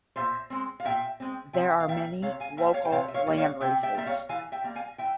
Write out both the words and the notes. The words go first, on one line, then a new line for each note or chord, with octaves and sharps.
There are many local landraces.
A#2 C5 E5
G#3 C4
F5
A#2 E5 G5
G#3 C4
C3 E5 G5
F5
G3 A#3 E5 G5
C3 C#5 F5
F5 G#5
G3 A#3 E5 G5
C#5 F5
G5
C3 C#5 F5
E5
C#5 F5
G3 A#3
C#5 F5
C3 E5 G5
E5 G5
G3 A#3 E5
C#5 F5
E3 F5 G#5
E5 G5
G3 A#3
F5 G#5
E3 E5 G5